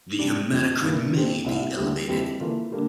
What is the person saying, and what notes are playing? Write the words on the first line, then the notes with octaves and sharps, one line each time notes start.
The hematocrit may be elevated.
C3 G3 D4
F2 C3 F3
G2 E3 A#3
A#2 A3 C4 G4 C5
C2 C3 G3 C4 E4
D2 D3 G3
F2 E3 G3 C4 G4
E3 A#3 F4 A4
D3 G3 A#3 D4